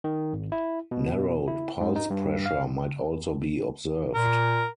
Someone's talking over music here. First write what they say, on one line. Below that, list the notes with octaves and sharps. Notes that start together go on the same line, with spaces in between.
Narrowed pulse pressure might also be observed.
D#3
G#1
E4
B2
E4
G#2
D#4
G2
F5
A#2 A#4